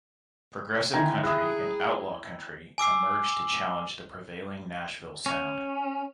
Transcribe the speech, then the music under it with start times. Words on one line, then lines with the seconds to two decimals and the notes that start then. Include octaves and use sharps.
Progressive country and outlaw country emerged to challenge the prevailing Nashville sound.
0.93 D3 D#3 E4 G5 G#5 A#5
1.23 E4 G#4 D#6 F#6
2.78 G#5 D6 E6 C7
5.26 C#4